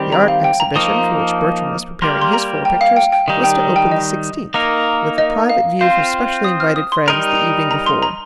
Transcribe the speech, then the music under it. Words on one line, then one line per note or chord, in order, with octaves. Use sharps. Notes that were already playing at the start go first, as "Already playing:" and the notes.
The Art Exhibition, for which Bertram was preparing his four pictures, was to open the sixteenth, with a private view for specially invited friends the evening before.
Already playing: D#3 G3 C4 G4
A#5
F5
G5
A#5
F3 A#3 D#4 D#6
G3 A#3 G4 A#4 C6
C6
A#5
G5
F5
G5
G5
D#3 G3 D#4
G5
G5
D#5
A#3 D#4 A#4
D#5
F5
C4 F4 C5 F5
D#6
F6
D#6
C6
G3 D#4 A#4
A#5
C6
A#5